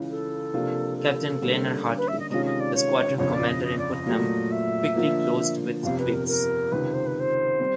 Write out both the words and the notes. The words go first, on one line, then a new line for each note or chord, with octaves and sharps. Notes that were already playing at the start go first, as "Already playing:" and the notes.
Captain Glenn R. Hartwig, the squadron commander in "Putnam", quickly closed with "Twiggs".
Already playing: C#2 C#3 E3
A4
C3 F3 A#3 D4 F4
A4
D3 G3 A#3 C#4
B4
E5
D#5
C3 D#3 G#3 C#4 F4 D#5
D#5
D5
C#5
G1 F2 C#3 C#5
D5
D#5
D#5
D5
D#5
A#2 F#3 A3
E5
D3 F3 A#3
G1 F2 C3 F5
B4
A#4
A#4
C#2 C3 D#3 B4
C5
B4
C5
G3 C4